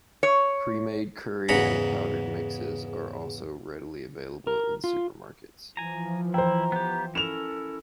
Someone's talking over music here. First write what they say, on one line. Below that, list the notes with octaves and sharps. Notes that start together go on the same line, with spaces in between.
Premade curry and powdered mixes are also readily available in supermarkets.
C#5
E2 G#2 C#3 F#5 A#5 B5
A#4
F4
E3 F3 G#5 A#5
E4 C5 G5 A#5
B3 G4
C#4 E4 A4 A#4 E7 F7